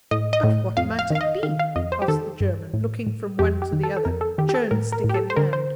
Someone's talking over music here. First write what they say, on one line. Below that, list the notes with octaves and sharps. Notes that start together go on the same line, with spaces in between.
"But what might it be?" asked the German, looking from one to the other, churn-stick in hand.
A2 D#5
D#5
A2
F2 F5
F5
D#3 F5
D#5
D#3 F5
F5
F2 D#5
C5
G4
D#3 A4
G2
A2
A2
F2 G4
G4
D#3
A4
A4
F2 A#4
A4
D#3 G4
G4
A4
A2 A#4
A#4
A2
G4
A4
C5
D3 A#4
C5